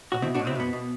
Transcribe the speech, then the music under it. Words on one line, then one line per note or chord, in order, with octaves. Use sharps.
Oh wow.
F#4
B2 C4 E4
D4 F#4
B2
C4 E4
B2 B3
B2